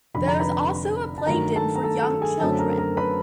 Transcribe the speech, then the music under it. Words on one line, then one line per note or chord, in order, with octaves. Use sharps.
There is also a playden for young children.
F1 F2 D3 B5
A#5
B4 B5
A5
G2 D#3 F#3 A3 A#4 A#5
A4 A5
A#5
A4 A5
A4 A5
G#4 G#5
F#2 D3 F#3 A3 C4 A4 A5
A#4 A#5
A#4 A#5
B4 B5